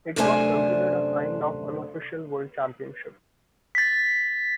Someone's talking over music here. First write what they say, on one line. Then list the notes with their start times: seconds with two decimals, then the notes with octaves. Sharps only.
It was considered a kind of unofficial World Championship.
0.16 F#2 C3 A3 D4 C5 G#5
3.75 A6 B6